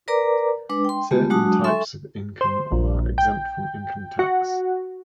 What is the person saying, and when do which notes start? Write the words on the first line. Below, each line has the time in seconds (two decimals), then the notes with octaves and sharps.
Certain types of income are exempt from income tax.
0.08 A#4 B4 D5 A#5 D6
0.69 G#3 D4 B4 D6
0.85 G5 C6
1.11 G#3 A3 B3 F4 G4
1.30 F#3 G#3 D4 F#4 A5 D#6
1.64 A4 E5 G#5 C6 C#6
2.41 C5
2.72 A#1
3.18 G5
4.19 F#4